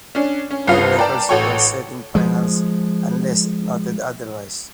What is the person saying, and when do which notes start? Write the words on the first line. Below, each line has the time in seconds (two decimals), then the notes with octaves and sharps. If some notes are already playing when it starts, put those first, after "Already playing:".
All records were set in finals unless noted otherwise.
0.15 C#4 D4
0.51 C#4
0.67 C2 G2 B3 F4 F5
0.97 A#4 B4 D5 G5 A5
1.29 A1 F#4 A4 C#5 G5 C#6
2.15 F3 G#3